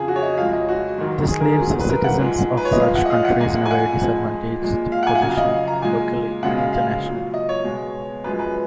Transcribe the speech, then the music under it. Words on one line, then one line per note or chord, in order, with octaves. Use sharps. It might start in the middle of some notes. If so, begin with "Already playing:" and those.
This leaves citizens of such countries in a very disadvantaged position locally and internationally.
Already playing: F2 C#3 F3 G#4
F#4
C#5
D#5
F2 F3 G#3 F5
D#5
F#4
G#2 D#3 F#3
G#4
A#4
G#4
G#2 F#3
B4
A#4
F#5
G#2 F3 G#3
B4
C#5
D#5
F2 F3 G#3 F5
F#5
D#5
F5
F#5
F2 F3 G#3 G#5
F#5
G#5
F#5
F2 F3 G#3
A#2 G#3
F5
F#5
G#5
F#5
F2 C#3 F#3 G#5
F5
D#5
A#5
A#2 G#3 G#5
F#2 C#3 G#3 F#5
F5
F5
A#2 F#3
D#5
C#5
B2 G#3
F#2 F3 G#3 B4
B4